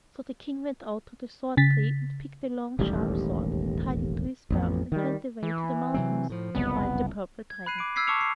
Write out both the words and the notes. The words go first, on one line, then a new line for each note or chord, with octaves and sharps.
So the King went out to the sword-tree and picked a long, sharp sword, and tied it to his belt and went away to the mountains to fight the Purple Dragon.
C#3 A6 B6
E1 A1 D#2 G3
A1 F2 B3
D#3 G3
E3
C3 F#3 C4
A2 F3
F#1 C2 F2 B3
G#6
B5 F#6 C7 D#7
D6 D7
E6 F6 G#6 B6 C7
A5 C#6 D6 E6 C#7 F7
C7